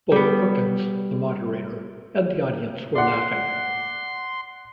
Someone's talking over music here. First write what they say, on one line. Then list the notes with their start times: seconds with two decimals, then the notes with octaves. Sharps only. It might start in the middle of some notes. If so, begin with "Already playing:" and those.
Both Perkins, the moderator and the audience were laughing.
0.12 G3 B3
2.95 D5 F#5 C6